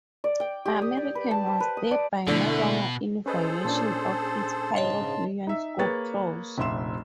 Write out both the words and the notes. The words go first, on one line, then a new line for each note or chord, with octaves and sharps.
American was thereby no longer in violation of its pilot union scope clause.
D5
G5
G4
D#6
D5
B4
A5
C5
B4
D#6
D5
B2 D3 A3 E4
C#4 G#4 A4 B4 C5 D#5
A#2 C#4 D4 A5 C6
G#2 C#3 C#5 D#5
D#4 E5
A#3 G#4 B4 C#5 A6
F1 A#1 E5 C6 E7